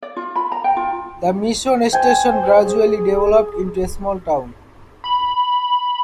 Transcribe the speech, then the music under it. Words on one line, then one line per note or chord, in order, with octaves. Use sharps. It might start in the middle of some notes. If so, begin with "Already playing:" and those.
The mission station gradually developed into a small town.
D5
F4
B5
A#5
G5
F4
C5 G5 G#5
G#4
B5